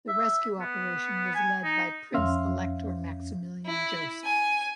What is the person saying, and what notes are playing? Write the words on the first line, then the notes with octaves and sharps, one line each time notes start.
The rescue operation was led by Prince-Elector Maximilian Joseph.
E5
B3
G#5
D#4
F2 C#4 E5 F5 C6
E4
G#5